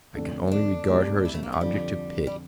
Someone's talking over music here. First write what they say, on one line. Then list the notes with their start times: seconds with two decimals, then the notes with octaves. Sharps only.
I can only regard her as an object of pity!
0.15 F2 D3 A3 D4 A4
0.48 C4
0.52 D4
0.89 D2 C3 G3
1.25 E4
1.35 A3
1.43 A#3
1.52 A3
1.61 F2 D3 F3 G3
2.27 G3